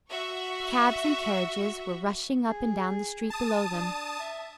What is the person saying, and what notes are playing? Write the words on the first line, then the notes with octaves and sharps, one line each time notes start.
Cabs and carriages were rushing up and down the street below them.
F#4 E5 C#6
G#4
A5 D#6
D4
E5